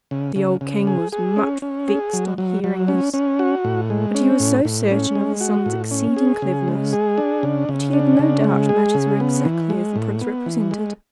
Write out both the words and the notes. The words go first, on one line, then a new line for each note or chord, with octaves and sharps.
The old King was much vexed on hearing this, but he was so certain of his son's exceeding cleverness that he had no doubt matters were exactly as the Prince represented.
C#3
C#3
C#3
G#4
G#4
C#4
C#4
G#4
F#3
F#3
F#3
C#4
C#4
F#4
A2
G#3
C#4
A2
A2
C#4
G#3
F#4
A2
C#4
G#4
C#3
G#3
G#4
D4
C#3
C#3
D4
C#3
G#3
G#4
C#3
B3
E3
G#3
A2
B3
E3
G#3